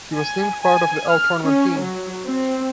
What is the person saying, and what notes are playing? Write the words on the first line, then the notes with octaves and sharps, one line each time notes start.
He was named part of the All-tournament team.
G#5
G#5
F6
C#4
F#3
C4